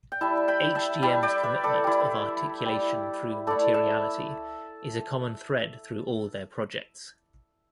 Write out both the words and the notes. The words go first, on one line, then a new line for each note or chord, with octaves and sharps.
HdM's commitment of articulation through materiality is a common thread through all their projects.
G5
G3 E4 E5 A5
G5 B5
E5 A5
G3 E4 E5 A5
D5 G5
B4 E5
A4 D5
G3 E4
G3 E4
A3 E4 A4 D5
E5 A5